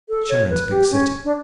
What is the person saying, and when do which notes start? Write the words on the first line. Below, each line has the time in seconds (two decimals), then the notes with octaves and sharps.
Charin's a big city.
0.09 A4
0.29 C#5
0.50 B4
0.70 G4
0.91 C#4
1.24 D4